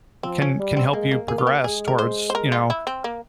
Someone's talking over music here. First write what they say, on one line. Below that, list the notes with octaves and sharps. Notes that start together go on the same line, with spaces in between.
can can help you progress towards, you know,
F3 C4
C#4
G3
C4
G#3 A#3
A#3
A#3 G#4
F4
G4
G#3 G#4
A#4
C5
C5
A#4
F4
E4
C4
A#3